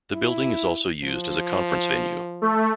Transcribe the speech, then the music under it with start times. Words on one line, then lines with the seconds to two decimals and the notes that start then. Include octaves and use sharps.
The building is also used as a conference venue.
0.12 E4
1.04 F3
2.42 A3